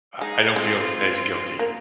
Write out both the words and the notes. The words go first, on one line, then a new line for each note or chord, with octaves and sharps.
uh, I don't feel as guilty
G#3 D#4 G#4
G#3 C4 F4
A#3